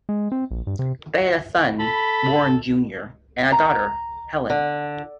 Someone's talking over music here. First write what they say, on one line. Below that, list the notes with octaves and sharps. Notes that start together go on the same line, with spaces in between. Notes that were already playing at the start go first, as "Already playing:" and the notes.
They had a son, Warren Junior and a daughter, Helen.
G#3
C4
A#1
G2
C3
A4 B5
A#5
D3